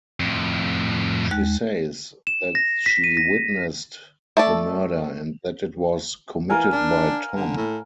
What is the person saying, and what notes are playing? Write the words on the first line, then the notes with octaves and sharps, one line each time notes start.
She says that she witnessed the murder and that it was committed by Tom.
F2 A2
D#2 G#3 F#6
E7
A#6
B6
D#7
A#6
A3 A4 D5
E3 A#4 F5 G#5
D4
D3
A2